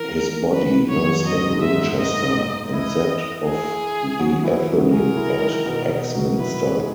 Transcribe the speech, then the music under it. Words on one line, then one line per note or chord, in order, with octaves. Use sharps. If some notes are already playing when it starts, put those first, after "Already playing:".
His body lies at Winchester, and that of the etheling at Axminster.
Already playing: E3 A#4
B4
F#2 F#3 C#5
F#2 F#3 D#5
G#2 G#3
E5
G#2 G#3
D#5
E3 E4 D#5
G#4
F#3 F#4
E3 E4
F#3 F#4
G#3 G#4 A#4
E3 E4
D#3 D#4
B2 B3
D#3 D#4
F#3 F#4
E3 E4 B4
G#3 G#4
G#4